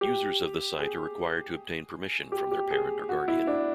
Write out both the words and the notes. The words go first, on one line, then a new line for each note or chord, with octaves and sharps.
Users of the site are required to obtain permission from their parent or guardian.
G4
G#4
G4
G4
G#4
F#4
E4
D4